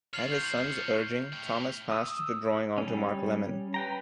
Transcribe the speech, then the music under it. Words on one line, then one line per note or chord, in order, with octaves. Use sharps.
At his son's urging Thomas passed the drawing on to Mark Lemon.
F4 C#5 F6 C7 F#7
G6
F6
A3 G5
D#6 E6
G3 C#4
B4 G5 A#5